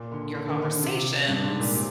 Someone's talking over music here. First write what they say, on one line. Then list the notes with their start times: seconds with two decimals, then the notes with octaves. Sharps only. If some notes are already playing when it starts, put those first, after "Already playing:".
your conversations
Already playing: A#2
0.12 D3
0.35 D3
0.49 D#3
0.62 D3
0.82 C3
1.28 G2
1.44 G#2
1.60 A#2
1.75 C3